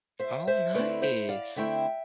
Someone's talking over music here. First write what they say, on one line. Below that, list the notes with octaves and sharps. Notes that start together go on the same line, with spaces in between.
Oh, nice.
C5 E5
C5 E5
D3 A3 C4 E4 B4 D5
C5 E5
D5 F5
D3 A3 C4 E4 E5 G5